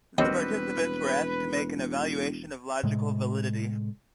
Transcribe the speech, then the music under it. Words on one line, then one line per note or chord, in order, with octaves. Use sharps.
The participants were asked to make an evaluation of logical validity.
E1 D#2 D#3 G3 C4 F#4 B4
A2 C3 G#3